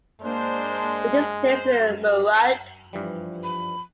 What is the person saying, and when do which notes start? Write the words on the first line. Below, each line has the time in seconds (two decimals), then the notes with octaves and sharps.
Which is placed in murud.
0.21 G#3 A#3 D4 C5
1.48 C5
2.93 G2 E3 F3 G3
3.44 B5